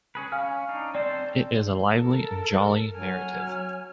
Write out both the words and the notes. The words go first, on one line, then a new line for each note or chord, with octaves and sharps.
It is a lively and jolly narrative.
C#4 G#4 B4
C#4 F5 G#5 F6
D4 D#4
C4 A4 C5 D5
A4 A#4
F#3 G#5 F6